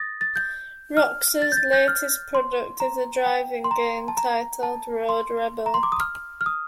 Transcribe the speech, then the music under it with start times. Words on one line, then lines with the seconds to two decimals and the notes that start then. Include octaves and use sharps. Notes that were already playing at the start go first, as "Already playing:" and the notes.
Roxor's latest product is a driving game titled "Road Rebel".
Already playing: D#6 A6 A#6
0.21 A6
0.36 G6
0.97 F6
1.42 A6
1.52 G6
1.57 A6
1.73 G6
1.88 F6
2.35 C6
2.80 A#5
3.26 G5
3.64 C6
3.71 A#5
4.08 A5
4.17 A#5
4.63 A5
5.09 C6
5.66 A#5
5.74 C6
5.83 D6
5.92 D#6
6.00 F6
6.41 F6
6.46 D#6